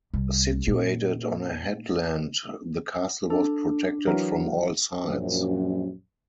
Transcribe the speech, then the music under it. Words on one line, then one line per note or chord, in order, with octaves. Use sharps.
Situated on a headland, the castle was protected from all sides.
C2
A#2
D4 A4
E3 F#3 A#4
A#1 F#2